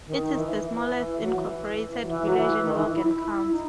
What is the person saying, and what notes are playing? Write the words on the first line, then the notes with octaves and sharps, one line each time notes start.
It is the smallest incorporated village in Logan County.
D#3
E3
E3
F#3
E3
F#3
E3
F#3
E3
D#3
E3
E4
E4
D#4